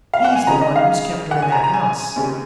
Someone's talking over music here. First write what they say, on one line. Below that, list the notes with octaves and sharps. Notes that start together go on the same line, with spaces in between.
He's the one who's kept her in that house.
F5
F#5
G#5
C#3 G#3 D#4 A#5
D#5
F5
F#5
G#5
A#5
A#5
G#5
D#2 C#3 G#3 C#4